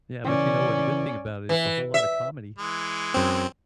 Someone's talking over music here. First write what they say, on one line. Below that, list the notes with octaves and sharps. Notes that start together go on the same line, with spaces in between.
Yeah, but, you know what, the good thing about it it's a whole lot of comedy.
C#3 E3 C#4 D5
E3
E5
E3 G#3
F#2 C4